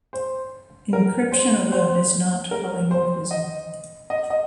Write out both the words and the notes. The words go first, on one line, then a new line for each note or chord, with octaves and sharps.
Encryption alone is not polymorphism.
C5
A#4
C5
C5
A#4
C5
D#5
D#5
D#5